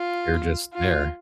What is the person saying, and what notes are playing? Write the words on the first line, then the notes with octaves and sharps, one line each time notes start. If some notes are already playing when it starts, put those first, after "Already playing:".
They're just there.
Already playing: F4
F4